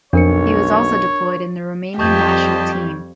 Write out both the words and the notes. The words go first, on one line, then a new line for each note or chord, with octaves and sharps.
He was also deployed in the Romanian national team.
B1 F2 D4 A#4 C#5 C#7
F2 G3 G4 D#5 A5 C#6 G6 G#6